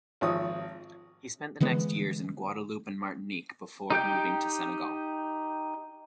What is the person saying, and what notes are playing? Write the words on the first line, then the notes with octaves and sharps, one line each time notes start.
He spent the next years in Guadeloupe and Martinique before moving to Senegal.
G#1 F3 C#5 D#6
D3 E3 G#3 B3
D#4 G4 G5 G6